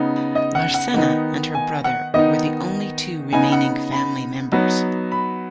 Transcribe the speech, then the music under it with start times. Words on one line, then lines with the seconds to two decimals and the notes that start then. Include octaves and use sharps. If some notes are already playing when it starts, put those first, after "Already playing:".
Larcena and her brother were the only two remaining family members.
Already playing: C#3 B3 D#4
0.35 D#5
0.55 F#5
0.74 F#5
0.94 D#3 B3 D#4
1.55 G#5
1.84 F#5
2.14 D#3 B3 D#4 D#5
3.32 C#3 B3 D#4 G#5
3.52 F#5
3.92 B5
4.52 F#3 B3 D#4
5.12 B5